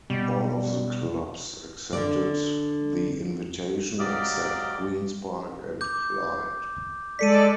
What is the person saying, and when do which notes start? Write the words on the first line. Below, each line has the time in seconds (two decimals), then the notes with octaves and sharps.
All of the clubs accepted the invitation, except Queen's Park and Clyde.
0.10 B2 G3
1.93 D3 D5
3.99 G#2 F#3 G4 D5 D#5 F5
5.81 D6 G6
7.19 G#3 A4 D5 B6 C#7 D#7